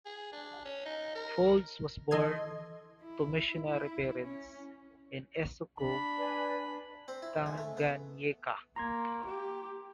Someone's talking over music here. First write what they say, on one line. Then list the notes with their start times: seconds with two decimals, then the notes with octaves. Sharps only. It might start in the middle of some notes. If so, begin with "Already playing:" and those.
Faulds was born to missionary parents in Isoko, Tanganyika.
0.06 G#4
0.33 D4
0.65 C#4
0.85 D#4
1.15 A#4
2.11 E3 A4 D#5 C6 G#6
3.02 E4
3.66 E4
4.22 C#4
5.80 D4 B5
6.18 B4 D5 G#5
7.08 C4
7.22 E4
7.46 G#3
7.58 A3
7.77 B3
8.76 A#3 A#5 C6 G#6
9.26 G4